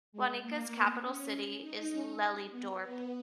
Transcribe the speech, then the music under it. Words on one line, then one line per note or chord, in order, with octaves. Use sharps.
Wanica's capital city is Lelydorp.
G#3
A#3
B3
C#4
D#4
C#4
B3
B3